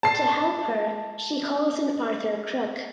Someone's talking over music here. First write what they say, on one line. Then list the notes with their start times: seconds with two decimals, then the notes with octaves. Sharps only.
To help her she calls in Arthur Crook.
0.03 A5 C7